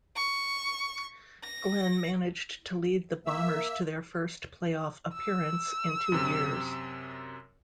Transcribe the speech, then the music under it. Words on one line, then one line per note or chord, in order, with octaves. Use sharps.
Glenn managed to lead the Bombers to their first playoff appearance in two years.
C#6
A#6
A#3 E5 E6
E6
F#2 C3